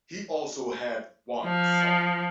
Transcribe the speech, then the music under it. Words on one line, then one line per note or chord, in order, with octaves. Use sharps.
He also had one son.
F3